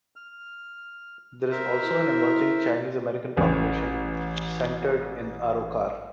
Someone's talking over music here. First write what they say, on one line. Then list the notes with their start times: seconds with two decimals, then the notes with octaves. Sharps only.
There is also an emerging Chinese-American population, centered in Arrochar.
0.16 F6
1.51 A#4 C5 E5
1.84 E4
3.37 A1 C#3 B4